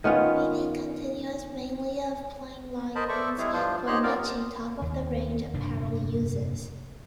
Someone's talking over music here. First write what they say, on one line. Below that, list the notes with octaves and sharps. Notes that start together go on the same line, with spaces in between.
Weaving continues mainly of plain linens for niche, top of the range, apparel uses.
D#3 B3 C#4 F4
A#4 C5 D#5 A5 B5
A4 C5 D5 E5 C#6
G3 G#3 E4 G#4 C#5
G2 E3 F3 D4 F4 C5
D#4 G4 C5 C#5 C6 F#6
B3 C4 F4 A#4 D5 F5
D#2
F1 G2 A#2 D4